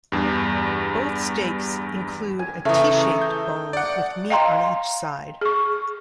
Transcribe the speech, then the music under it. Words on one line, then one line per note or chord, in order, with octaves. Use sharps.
Both steaks include a "T-shaped" bone with meat on each side.
E2 G2
G#5
C#3 E3 A3 A#5 D#6
G6
D5 F#5
D#5 F5 G5 A#5 C6
G#4 C#6